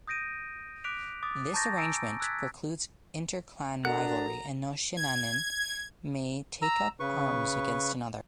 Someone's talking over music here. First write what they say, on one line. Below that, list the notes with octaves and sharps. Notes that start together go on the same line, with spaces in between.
This arrangement precludes inter-clan rivalry, and no Shin'a'in may take up arms against another.
D#6 G6 A#6 D7 D#7
D6 F#6 B6 D7 F7
D6 D#6 A6
A5 A#5 C#6 G6 A6 A#6
G#5 A#5 E6 A#6 D7
E6 F#6 G#6 A6 B6
D4 F#4 A4 A#4 F#5 A#5 F#6
G#6
A#5 E6
C#3 B4 C#6